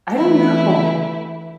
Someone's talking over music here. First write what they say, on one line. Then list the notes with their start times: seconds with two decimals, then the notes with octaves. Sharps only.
I don't know.
0.15 E3 A3 E4 B4